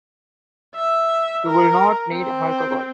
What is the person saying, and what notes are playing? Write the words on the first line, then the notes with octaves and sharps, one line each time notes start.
You will not need alcohol.
E5
A#4
C4